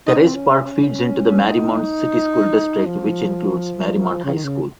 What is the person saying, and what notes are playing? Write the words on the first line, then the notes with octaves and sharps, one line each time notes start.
Terrace Park feeds into the Mariemont City School District, which includes Mariemont High School.
D#4
C#4
C4
C#4
D#4
F3
C#3
D#3
C#3